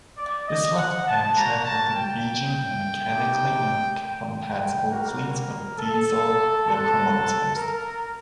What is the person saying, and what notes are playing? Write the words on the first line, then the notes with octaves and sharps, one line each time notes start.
This left Amtrak with an aging and mechanically-incompatible fleet of diesel locomotives.
D5
D#5
F#5
A5
A#3 F#4 A#5
A5
G5
C4 D#4 G4
G5
G3 A#3 F#4 A#4
A4
C4 F#4 A4
A#4